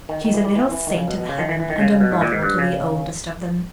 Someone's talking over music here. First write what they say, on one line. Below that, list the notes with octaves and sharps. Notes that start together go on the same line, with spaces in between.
She's a little saint of heaven and a model to the oldest of them.
D#3
D#3
E3
G3
E3
E3
D#3
C#3
B2
B2
C#3
D#3
E3
E3
D#3
C#3
C#3
B2
G#2
A#2
G#2
G2
C#3